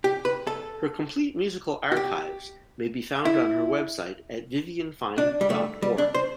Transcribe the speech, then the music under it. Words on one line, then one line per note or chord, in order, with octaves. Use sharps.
Her complete musical archives may be found on her website at vivianfine dot org.
G4
B4
A4
F#4
G4
E4
D4
G3
A3
G3
D4
C5